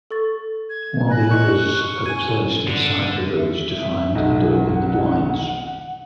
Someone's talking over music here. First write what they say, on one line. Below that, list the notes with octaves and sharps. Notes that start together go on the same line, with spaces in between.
While the others are placed inside the village to find and open the blinds.
A4 C#6 A6
G#6
G#5 B5 F#6 A#6
D#5 C#6 G6
G#5 G#6 D#7
D3
E5
B1 F#5